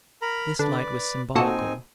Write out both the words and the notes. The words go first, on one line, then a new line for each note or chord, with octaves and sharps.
This light was symbolical.
A#4 A#5 B5
D3 B4 D5
A#2 C4 D#4 F#4 A4 G#5